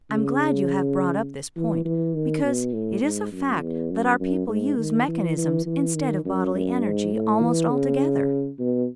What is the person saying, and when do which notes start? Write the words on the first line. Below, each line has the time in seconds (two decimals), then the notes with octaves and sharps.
I am glad you have brought up this point, because it is a fact that our people use mechanisms instead of bodily energy, almost altogether.
0.10 C#3
1.56 E3
1.85 E3
2.15 D#3
2.44 B2
2.73 A2
3.03 G#2
3.32 F#2
3.61 E2
3.91 F#2
4.20 F#2
4.48 G#2
4.78 D#3
5.07 E3
5.37 E3
5.66 E3
5.95 D#3
6.25 F#2
6.54 F#2
6.83 G#2
7.13 A2
7.42 E3
7.71 C#3
8.59 B2